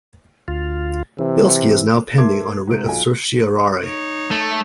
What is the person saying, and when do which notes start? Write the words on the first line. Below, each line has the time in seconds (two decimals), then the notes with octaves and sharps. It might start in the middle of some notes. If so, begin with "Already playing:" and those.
"Bilski" is now pending on writ of certiorari.
0.48 D2 F4
1.19 C3 E3
2.18 A4 A#4 E5 C6 D6 G#6
2.67 G#2 C3 D7
2.85 B1 F4 G#5
3.83 D#4 C#5
4.31 A3